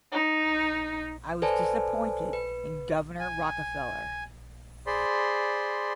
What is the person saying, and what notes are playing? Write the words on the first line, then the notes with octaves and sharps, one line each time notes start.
I was disappointed in Governor Rockefeller.
D#4
A4 B4 C5 D5 G#5 A5
B4
G#5
G#4 C5 D5 B5 C6